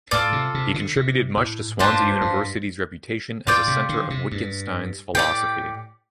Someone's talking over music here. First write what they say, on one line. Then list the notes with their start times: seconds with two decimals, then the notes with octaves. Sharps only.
He contributed much to Swansea University's reputation as a centre of Wittgenstein's philosophy.
0.11 A2 F4 A4 D5
0.33 C3
0.54 C3
0.74 D3
0.96 C3
1.37 A2
1.79 G2 D4 F4 C5 A5
2.21 G2
3.47 A2 F4 D5 G5
3.68 C3
3.89 D3
4.10 C3
4.32 G2
5.14 A2 G4 D5 G5